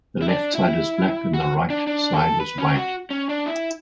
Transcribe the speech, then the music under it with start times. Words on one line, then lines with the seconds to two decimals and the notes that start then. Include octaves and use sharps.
The left side is black and the right side is white.
0.22 E4
0.28 D4
0.55 E4
1.34 F#4
1.70 D4
1.87 D4
2.14 A4
2.40 B4
2.58 C#4
2.76 F#4
3.10 C#4
3.29 D4
3.46 E4